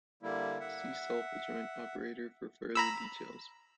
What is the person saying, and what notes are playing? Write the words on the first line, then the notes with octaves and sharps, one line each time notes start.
See self-adjoint operator for further details.
D3 G3 A#3 E4
E5 F#5
A#5 B5 E6